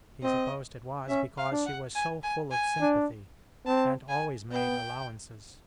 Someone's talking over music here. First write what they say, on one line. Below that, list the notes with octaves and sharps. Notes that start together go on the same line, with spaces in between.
He supposed it was because she was so full of sympathy, and always made allowances.
C4 D#5
C#4 E5
F5
D4
F#5
G#5
G#5
G#5
D4
C4 A5
G#5
B3 G5